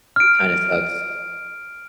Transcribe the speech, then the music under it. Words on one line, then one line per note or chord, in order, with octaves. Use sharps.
it kinda sucks,
F6 D7